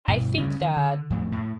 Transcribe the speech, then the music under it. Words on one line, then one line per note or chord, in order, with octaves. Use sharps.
I think that
G2 B2
D2 C#3 G3 C#4
D#3
D3
F2 A2
A2